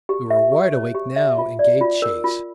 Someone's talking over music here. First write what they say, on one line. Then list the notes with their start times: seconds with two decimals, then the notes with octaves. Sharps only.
We were wide awake now and gave chase.
0.09 G4
0.30 E5
0.52 G4
0.73 C#5
0.95 G4
1.16 E5
1.38 F4
1.59 D5
1.81 F4
2.02 A#4
2.24 F4